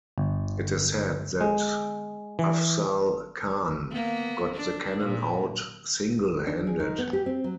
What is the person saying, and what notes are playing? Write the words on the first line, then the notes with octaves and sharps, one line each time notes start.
It is said that Afzal Khan got the cannon out single-handed.
G1
G#3
E3
A#3 B3
D4
A#2
D4
G#4
D#3
B3
G4
C4
F#3